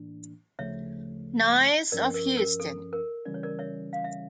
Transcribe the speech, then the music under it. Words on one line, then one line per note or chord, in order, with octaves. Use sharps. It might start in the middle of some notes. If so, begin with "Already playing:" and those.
Noyes of Houston.
Already playing: A2 E3 A#3 D4
D2 C#3 F3 A3 C#5 E5
G2 F3 C#4 A#4 D5
A#4
A#4
A4
A#4
C#3 E3 G3 C#4 D5
C#5
A#4 D5
C#5 E5
F5
E5